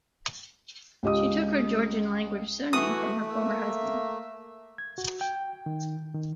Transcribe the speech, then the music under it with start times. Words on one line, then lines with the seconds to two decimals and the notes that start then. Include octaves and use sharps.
She took her Georgian-language surname from her former husband.
1.03 C#2 G4 D#5 D#6
2.73 E3 A3 F#4 D#6
3.30 A#3 E5
4.78 G#6
4.98 F#4
5.21 G5
5.66 D#3
6.14 D#3